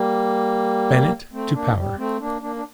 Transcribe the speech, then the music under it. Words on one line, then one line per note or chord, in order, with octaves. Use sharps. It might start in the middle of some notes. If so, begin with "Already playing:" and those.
Bennett to power.
Already playing: G3 A#3
A3 C4
A#3 D4
G3
A3 C4
A#3 D4
A#3 D4
D4